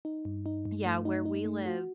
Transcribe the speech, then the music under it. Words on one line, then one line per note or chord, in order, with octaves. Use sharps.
Yeah, where we live,
D#4
G2
D#4
G2
A3
D#4
D#4
A3
F#4